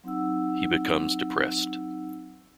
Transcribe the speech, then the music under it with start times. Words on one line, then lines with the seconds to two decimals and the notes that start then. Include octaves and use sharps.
He becomes depressed.
0.04 F#3 C4 D#4 F#5 E6